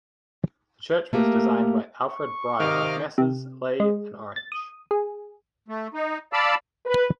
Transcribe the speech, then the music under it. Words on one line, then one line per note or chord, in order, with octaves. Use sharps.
The church was designed by Alfred Bryer of Messrs. Leigh and Orange.
A3 A#3 G4 A#4
C#6
C3 D#3 D#5 F5 D6 F6
C3
G#3
A6
D#6
G#4
A3
D#4
D5 F5 A5 B5 E6
B4